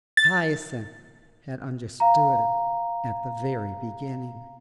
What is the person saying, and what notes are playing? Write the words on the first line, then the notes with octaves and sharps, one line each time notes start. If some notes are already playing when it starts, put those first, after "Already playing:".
Hyacinth had understood at the very beginning.
A6
F5 A#5